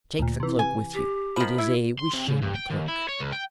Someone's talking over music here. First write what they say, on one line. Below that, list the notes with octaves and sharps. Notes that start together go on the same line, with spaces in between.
Take the cloak with you, it is a wishing-cloak.
D2 A#2
C3 E3
G#5
G4
D#3 F3 B5
E4 E5
C6
C3
C#3
G2
G5
D#2
E4
C#5
C#2
G5